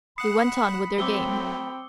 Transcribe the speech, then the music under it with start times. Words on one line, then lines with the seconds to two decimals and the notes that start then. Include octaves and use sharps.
They went on with their game.
0.18 F#5 B5 D#6 F#6 C7 C#7 E7
0.98 F#3 A3 C4 G5 D6 E6 G7